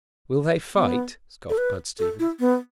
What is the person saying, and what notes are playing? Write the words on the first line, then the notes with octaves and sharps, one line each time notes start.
"Will they fight?" scoffed Bud Stevens.
B3
A4
B4
A4
E4
B3